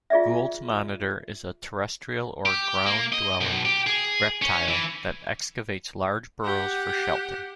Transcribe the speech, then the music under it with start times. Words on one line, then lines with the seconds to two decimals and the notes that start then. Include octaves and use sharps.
Gould's monitor is a terrestrial or "ground-dwelling" reptile that excavates large burrows for shelter.
0.10 F4 G#4 D5 E5
2.46 G4
2.86 A#3
3.13 D#5
3.41 B1
3.66 G4
3.87 G#4
4.42 C#4
4.68 E3
6.43 G4 F#5